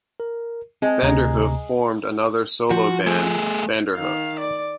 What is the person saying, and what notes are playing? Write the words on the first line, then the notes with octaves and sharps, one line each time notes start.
Vanderhoof formed another solo band, Vanderhoof.
A#4
G#3 C4
D2 C3 A#5
F3 F#4
A3 G#4
D#3 F5
D5